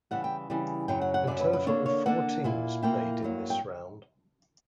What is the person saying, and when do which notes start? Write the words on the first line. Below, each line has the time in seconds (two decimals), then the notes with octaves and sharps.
A total of four teams played in this round.
0.11 C#3 E3 G3 F#5
0.24 G5
0.50 C#3 E3 G3
0.88 F#2 C#3 F#3 G5
1.02 F#5
1.14 F#5
1.27 F#2 C#3 F#3 D5
1.40 B4
1.53 B4
1.66 D3 A#3 D4 C#5
1.86 C#5
2.06 D3 A#3 D4 F#5
2.44 A#2 A#3 E4
2.82 A#2 A#3 E4 G5
3.23 G2 F#3 A#3
3.50 G5